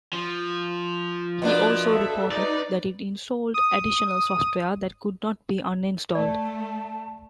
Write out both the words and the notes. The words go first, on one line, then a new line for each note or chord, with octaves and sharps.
He also reported that it installed additional software that could not be uninstalled.
F3
B2 A#3 D4
A4 E5
D#4 B4 D5
D#6
A3 D5 A5